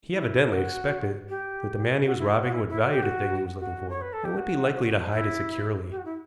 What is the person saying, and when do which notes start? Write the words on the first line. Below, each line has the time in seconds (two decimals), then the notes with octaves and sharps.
He evidently expected that the man he was robbing would value the thing he was looking for, and would be likely to hide it securely.
0.13 E4
0.43 E4
0.51 F#4
1.29 G4
2.05 F#4
2.18 E4
2.30 F#4
2.43 F#4
2.52 E4
2.69 E4
2.82 F#4
2.92 G4
3.02 F#4
3.59 F#4
3.89 C#5
4.01 B4
4.12 A4
4.24 G4
4.36 F#4
5.12 E4
5.90 G4
5.97 F#4
6.05 E4